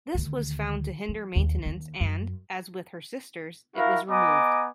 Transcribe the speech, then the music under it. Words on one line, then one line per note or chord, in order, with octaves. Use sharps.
This was found to hinder maintenance and, as with her sisters, it was removed.
D2 D#3
F3
D#2
D#2
F#2
E4 F#4 A#4 F5
B3 D#5 G#5 A#5 D6